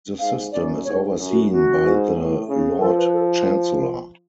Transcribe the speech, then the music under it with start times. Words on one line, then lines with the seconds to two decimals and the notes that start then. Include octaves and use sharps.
The system is overseen by the Lord Chancellor.
0.19 G#2 F5
0.52 F#2 D5
0.85 G#2 C#5
1.18 F#2
1.29 F#4
1.50 F#2 F#4
1.83 G#2
2.15 A2
2.48 C#3
2.80 F3 A4
2.97 B4
3.13 A4